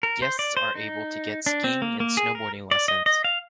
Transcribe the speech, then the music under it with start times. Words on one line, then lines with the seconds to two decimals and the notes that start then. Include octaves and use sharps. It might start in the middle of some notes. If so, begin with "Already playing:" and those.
Guests are able to get skiing and snowboarding lessons.
0.03 A#4
0.22 C5
0.39 D5
0.57 C5
0.75 D#4
1.46 D4
1.64 C4
1.82 A#3
2.00 A#3
2.17 G#4
2.35 A#4
2.71 D5
2.88 D#5
3.06 D#5
3.24 F5